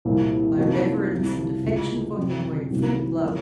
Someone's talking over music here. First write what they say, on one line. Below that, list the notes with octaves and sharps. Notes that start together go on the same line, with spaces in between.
My reverence and affection for him were in full glow.
C2 A#2 F3 A#3
C3 F3 A#3 D#4 F#4
C2 C3 F3
C#2 C#3 G#3
C3 F#3 C4
C2 C3 D#3 F#3 A#3
F3 A#3 F4